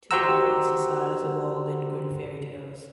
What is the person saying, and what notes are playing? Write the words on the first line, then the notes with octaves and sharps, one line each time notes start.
To her is the saddest of all Lindgren fairy tales.
F#4 G4 C5 F#5 A#5 E6